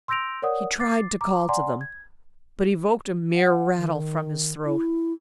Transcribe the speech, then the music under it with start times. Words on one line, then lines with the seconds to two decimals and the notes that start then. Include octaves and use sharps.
He tried to call to them, but evoked a mere rattle from his throat.
0.08 C6 E6 G6 A#6 D7 F7
0.42 A#4 C#5 D5 F#5 D#6
0.79 D6 A6 C7
1.21 A#5 D6
1.49 D5 F#5 G#5 A#5 C6
1.81 G#6
3.35 F#5
3.78 D#3
4.65 E4